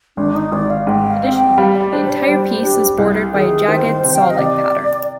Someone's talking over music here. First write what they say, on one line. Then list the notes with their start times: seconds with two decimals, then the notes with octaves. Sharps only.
Additionally, the entire piece is bordered by a jagged saw-like pattern.
0.17 G#1 D4
0.35 D#4
0.52 G#1 D5
0.70 F5
0.87 G#2 G5
1.10 F5
1.23 C4
1.34 G5
1.58 G3 F5
1.75 D5
1.93 D4 C5
2.06 C5
2.10 D5
2.28 G3 C5
2.63 D4 G4
2.98 C2
3.33 D#3 G#4
3.68 D#3 C5
4.03 C3
4.14 G5
4.22 F5
4.30 D#5
4.38 C3 D5